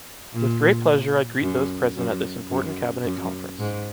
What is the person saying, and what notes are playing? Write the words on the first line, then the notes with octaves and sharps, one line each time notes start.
With great pleasure I greet those present at this important cabinet conference.
A#2
F#2
F#2
F#2
F#2
G#2